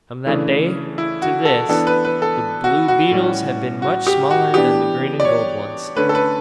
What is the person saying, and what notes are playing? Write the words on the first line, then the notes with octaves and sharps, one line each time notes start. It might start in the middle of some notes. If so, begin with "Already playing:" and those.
From that day to this the blue beetles have been much smaller than the green and gold ones.
C#3 E3 A3 D4
E4
F#4
A4
E3 B3 D4 A4
B4
B4
A4
F#4
F#4
A2 G3 C#4
F#4
G4
F#4
E3 B3 D4 G4
D5
C#5
D3 A3 C#4 B4
A4
B4